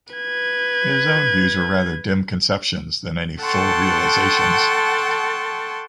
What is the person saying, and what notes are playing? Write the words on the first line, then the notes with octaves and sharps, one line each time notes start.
His own views were rather dim conceptions than any full realizations.
B4 G#6
A4 F#5 G5 A5 C6 C#6